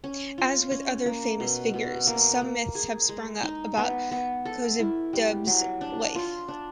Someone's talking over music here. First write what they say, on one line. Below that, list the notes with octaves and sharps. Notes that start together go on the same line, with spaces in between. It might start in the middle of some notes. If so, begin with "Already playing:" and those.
As with other famous figures, some myths have sprung up around Kozhedub's life.
C#4
F4
C#4
A#3
B2
B2
A#3
A#3
G#4
G#3
D#4
B3
B3
A4
E4
G3
F#3
D4
F4
D4